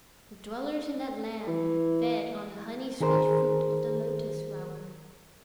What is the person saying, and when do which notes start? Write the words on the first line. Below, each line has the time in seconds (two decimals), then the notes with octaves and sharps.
The dwellers in that land fed on the honey-sweet fruit of the lotus flower.
1.47 E3
3.00 D#3 G#4 A#4 C5